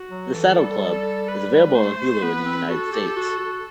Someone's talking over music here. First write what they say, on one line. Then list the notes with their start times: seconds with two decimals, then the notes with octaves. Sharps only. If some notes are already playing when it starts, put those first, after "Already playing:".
"The Saddle Club" is available on Hulu in the United States.
Already playing: F#4
0.11 F#3
0.33 E3 A4
0.58 G3
1.28 B4
1.75 A3 C5
1.98 A3
2.22 B3 B4
2.45 C4
2.69 F#4 A4
2.92 G4
3.16 F#4
3.39 F#4